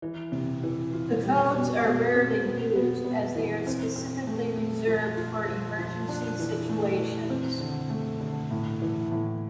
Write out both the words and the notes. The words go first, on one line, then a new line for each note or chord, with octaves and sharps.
The codes are rarely used as they are specifically reserved for emergency situations.
E3
C3
E3
F4
G3
B2
B2
C4
B3
B3
B3
E3
C4
C4
A3
A3
F3
F4
F3
F3
D4
E3
A3
E3
C4
D3
A3
D3
A2
E3
A2